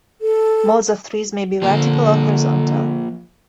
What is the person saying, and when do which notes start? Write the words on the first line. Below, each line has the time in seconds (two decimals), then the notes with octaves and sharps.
Molds of trees may be vertical or horizontal.
0.21 A4
1.62 D3 F3 A#3